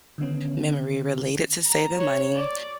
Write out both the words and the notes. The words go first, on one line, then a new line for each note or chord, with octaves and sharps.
memory related to saving money
D3 D#3 B3 C#4
A#5
C#5
D5